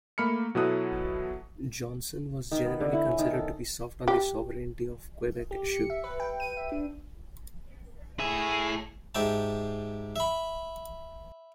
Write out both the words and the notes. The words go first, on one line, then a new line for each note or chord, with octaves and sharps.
Johnson was generally considered to be soft on the sovereignty of Quebec issue.
A3 A#3 B5 F6 C#7
B2 F#3 E4 A4 D#6 F#6
D#3
B3
D3
E4
C#4
D#3
A4
G4
G4
C#7
E5
B4
G5
D#7
E5
D4
A2 G#4 E5
G#2 G4 E5 A5
E5 B5